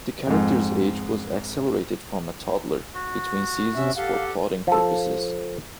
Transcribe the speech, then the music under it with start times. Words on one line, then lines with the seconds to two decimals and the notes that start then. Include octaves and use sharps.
The character's age was accelerated from a toddler between seasons for plotting purposes.
0.27 F2 G#2
2.94 F#4
3.75 C3 C#4 E5
3.96 G4 A4 F5 F#5
4.67 F3 A4